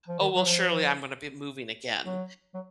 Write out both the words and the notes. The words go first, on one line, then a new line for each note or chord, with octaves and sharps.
"Oh, well surely I'm gonna be moving again,"
F3
D#3
F#3
F3
F#3
F#3